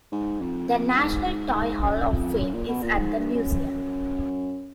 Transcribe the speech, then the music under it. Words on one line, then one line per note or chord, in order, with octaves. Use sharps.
The National Toy Hall of Fame is at the museum.
G#2
F2
F2
G#2
G#2
G#2
F#2
F#2
F2
F#2
A#2
B2
A#2
G#2
G2
F#2